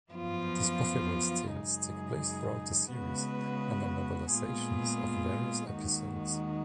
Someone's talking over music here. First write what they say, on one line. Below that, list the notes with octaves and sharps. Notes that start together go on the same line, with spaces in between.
These Buffyverse tales take place throughout the series and are novelizations of various episodes.
F#2 F3 B3 F4
F#2 C#3 G#3 D#4 G#4
C#3 G#3 B3 F#4 B4
A#2 G#3 B3 F4 G#4
D#2 D#3 G#3 D#4 F#4